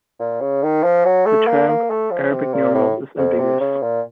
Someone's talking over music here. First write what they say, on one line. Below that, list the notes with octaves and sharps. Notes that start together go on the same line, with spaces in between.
The term "Arabic numerals" is ambiguous.
A#2
C#3
D#3
F3
F#3
A3
A#3
A#3
A3
F3
C3
A#2
A2
F2
C3
C#3
A#2